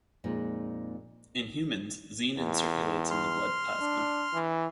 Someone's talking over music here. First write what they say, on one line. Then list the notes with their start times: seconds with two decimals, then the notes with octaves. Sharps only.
In humans, xenin circulates in the blood plasma.
0.24 F2 A#2 G#3 D#4
2.37 E2
3.11 C6 F6
3.81 D4
4.34 E3